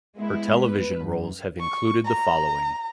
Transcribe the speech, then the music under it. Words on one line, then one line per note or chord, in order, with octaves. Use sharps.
Her television roles have included the following.
G#3 B3 E4
B4
F#2
C#6
A#5